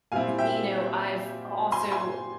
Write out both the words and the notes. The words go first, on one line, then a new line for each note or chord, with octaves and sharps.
eh you know, I've also
A#2 G3 C4 E4 F5 G#5
E5 G5
G#5 C6
G#5 C6